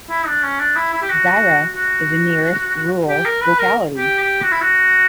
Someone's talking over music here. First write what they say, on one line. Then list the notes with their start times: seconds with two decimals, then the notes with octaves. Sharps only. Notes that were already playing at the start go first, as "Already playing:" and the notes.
Zarya is the nearest rural locality.
0.10 E4
0.26 D4
0.43 C#4
0.60 D4
0.76 E4
0.93 E4
1.02 G4
1.09 F#4
1.76 F#4
3.08 G4
3.25 A#4
3.42 B4
3.58 A#4
3.97 G4
4.20 G4
4.42 F#4
4.51 E4
4.61 F#4